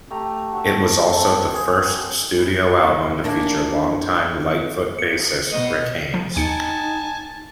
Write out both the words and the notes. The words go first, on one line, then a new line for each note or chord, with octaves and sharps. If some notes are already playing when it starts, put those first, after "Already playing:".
It was also the first studio album to feature long-time Lightfoot bassist Rick Haynes.
A3 G4 A#5
F#4 E5
C4 A4
G#4 C5
E2 A#3 D4
C#7
B2 D#5
F3
D#2 D#4 G#5 A5 C#7